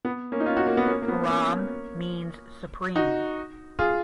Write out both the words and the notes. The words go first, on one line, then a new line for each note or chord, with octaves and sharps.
'Param' means 'Supreme'.
B3
A#3 C#4
D#4
C#4 F4
D#4 F#4
A#3
B3
A#3 C#4
A#3
B3
A#3 C#4
D#4 F#4
F4 G#4